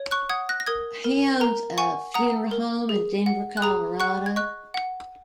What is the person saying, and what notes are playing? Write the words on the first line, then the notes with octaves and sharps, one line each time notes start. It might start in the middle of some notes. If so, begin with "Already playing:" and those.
He owns a funeral home in Denver, Colorado.
Already playing: C#5
C#6 F#6
F#5 D#6 G#6
F#6 A#6
A#6
A#4 D#6 G#6
A#4
A#4 A#5
F#5 G#5 C#6
F#5 A#5 D#6
A#4
G#4
F#5
F#6
G#4 A#5 D#6
F#5 C#6 F#6
G#6
D#5 C#6 F#6
F#5